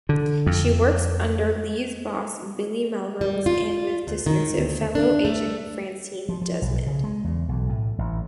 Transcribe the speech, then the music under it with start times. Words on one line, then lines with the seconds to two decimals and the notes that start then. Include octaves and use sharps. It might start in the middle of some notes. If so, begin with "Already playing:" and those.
She works under Lee's boss Billy Melrose and with dismissive fellow agent Francine Desmond.
0.09 D3
0.46 F2
3.21 G3
3.46 F4
4.07 D2
4.26 D#3
4.58 D2
4.95 D4
5.25 A3
6.29 F3
6.42 F3
6.62 B1
6.87 C#3
7.04 G#3
7.24 E2
7.49 B1
7.69 A2
7.98 A1